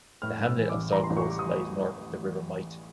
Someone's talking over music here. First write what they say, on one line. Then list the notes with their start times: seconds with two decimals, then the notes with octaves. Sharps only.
The hamlet of Saltcoats lies north of the River Mite.
0.22 A2 F6
0.40 A2
0.46 E6
0.57 E3
0.69 A1 D6
0.93 E3 A#5
1.04 C6
1.10 A1
1.17 C#6
1.28 G3 D6
1.39 D#6
1.46 E3